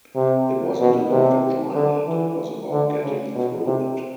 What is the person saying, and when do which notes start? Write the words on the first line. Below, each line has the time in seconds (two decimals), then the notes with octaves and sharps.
It wasn't about enjoying it, it was about getting through it.
0.16 C3
0.80 B2
1.11 C3
1.75 D3
2.07 E3
2.71 D3
3.02 C#3
3.35 B2
3.67 C3